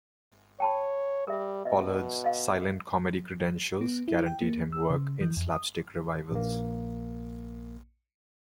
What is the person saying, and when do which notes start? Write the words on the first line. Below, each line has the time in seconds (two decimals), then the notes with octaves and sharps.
Pollard's silent-comedy credentials guaranteed him work in slapstick revivals.
0.60 C#5 G5 A5 B5
1.27 G3 A#4 E5
1.65 B2 D#5 E5
2.24 D#5 F5
3.81 B3
4.08 E4
4.26 G5
4.42 A#3
4.72 E6
4.90 C#3
5.21 E3
5.37 F2
5.52 D#6
6.31 A#1 A#3